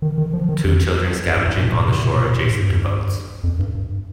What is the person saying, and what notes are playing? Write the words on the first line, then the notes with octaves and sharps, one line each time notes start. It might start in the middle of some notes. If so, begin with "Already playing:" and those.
Two children scavenging on the shore adjacent to boats.
D#3
D#3
F3
D#3
F2
F2
G2
G#2
G2
A#2
G#2
A#2
C3
A#2
A#2
A#2
G#2
G2
F2
G2
F2
G2
G2